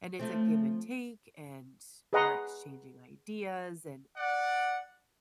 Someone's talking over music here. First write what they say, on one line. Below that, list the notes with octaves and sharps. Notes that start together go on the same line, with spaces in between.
and it's a give and take, and we're exchanging ideas, and,
F3 A3 C4
G#4 B4 D#5 F#5 A#5 C6
D5 F#5